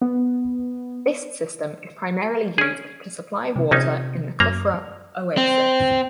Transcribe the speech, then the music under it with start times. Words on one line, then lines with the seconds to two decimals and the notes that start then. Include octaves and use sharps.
This system is primarily used to supply water in the Kufra oasis.
0.01 B3
2.58 C#4 G#4
3.56 C3
3.71 A#1 C3 C#4 D#4
4.40 F#2 A#3 A#5
5.37 C4